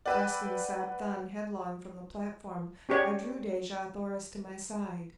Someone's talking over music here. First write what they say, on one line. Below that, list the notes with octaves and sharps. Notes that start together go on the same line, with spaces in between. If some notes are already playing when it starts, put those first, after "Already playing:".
Thrusting Sab Than headlong from the platform, I drew Dejah Thoris to my side.
B4 D5 F#5 G5 E6
C#4 G4 G#4 C#5 D5 G5